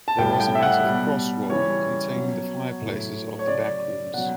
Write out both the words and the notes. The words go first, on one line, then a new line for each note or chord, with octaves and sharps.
There was a massive cross-wall, containing the fireplaces of the back rooms.
A5
A2 G3 G5
G5
E5
F#5
B2 G3
C#3 E3 G3 C#5
B2 F#3
A2 F#3
C#5
C#3 F#3 D5
B2 F#3 F#5